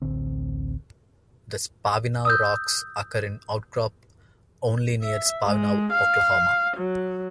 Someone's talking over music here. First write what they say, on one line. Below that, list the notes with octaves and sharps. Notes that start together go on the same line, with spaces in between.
The Spavinaw rocks occur in outcrop only near Spavinaw, Oklahoma.
D1 A1 D3 C4
D#6 E6 G6
E5
G#3
F5
F#3